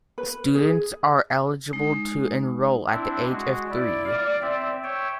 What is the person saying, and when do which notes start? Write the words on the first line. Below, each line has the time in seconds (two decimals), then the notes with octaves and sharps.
Students are eligible to enroll at the age of three.
0.18 B4
0.55 G#4
1.73 G#3 D#4
2.92 C4 D4 E4
3.30 G#3 F#4
3.71 E4 D5
4.05 F5
4.42 C4 E5
4.84 C#5 E5 G5